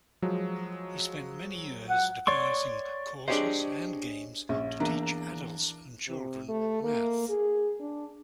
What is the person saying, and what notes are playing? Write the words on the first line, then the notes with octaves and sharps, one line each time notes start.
He spent many years devising courses and games to teach adults and children math.
F3 F#3 G#3
F#5
C#5 D5 C6 C#6
D4 G4 G#4 C5 C#5 D#5
A#1 C#4
E2 A#3 D4 A#5
C3
A3
A#3
G#4
D4